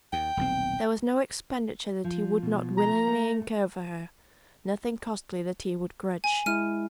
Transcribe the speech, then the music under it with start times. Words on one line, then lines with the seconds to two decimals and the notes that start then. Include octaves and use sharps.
There was no expenditure that he would not willingly incur for her, nothing costly that he would grudge.
0.13 D#2 G5
0.37 D#1 B1 C4
2.04 F3
2.43 B2
2.78 A#5
3.08 A3
6.24 G#5
6.46 G#3 E4 F6 D#7